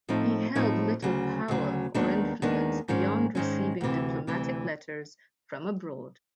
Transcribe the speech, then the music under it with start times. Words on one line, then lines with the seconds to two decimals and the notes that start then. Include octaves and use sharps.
He held little power or influence beyond receiving diplomatic letters from abroad.
0.09 A2 F3 A3 C4 D#4
0.55 A2 F3 A3 C4 D#4
1.02 D2 C#3 F#3
1.48 D2 C#3 F#3
1.94 D#2 D#3 G#3 B3 D4
2.42 D#2 D#3 G#3 B3 D4
2.88 G#2 D#3 G#3 C#4
3.35 G#2 D#3 G#3 C#4
3.81 D2 C3 E3
4.27 D2 C3 E3